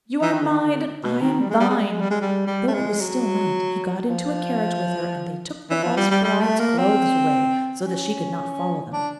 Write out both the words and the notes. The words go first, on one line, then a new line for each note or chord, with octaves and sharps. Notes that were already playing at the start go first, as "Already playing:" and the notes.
You are mine, and I am thine.' Though it was still night, he got into a carriage with her, and they took the false bride's clothes away, so that she could not follow them.
E3
D#3
D3
D#3
D3
B2
D#3
G3
G#3
G3
G#3
G3
G#3
G3
G#3
G3
G3
A3
G#3
F#3
F3
E3
F3
G3
G3
G3
A3
A#3
C4
C#4
D4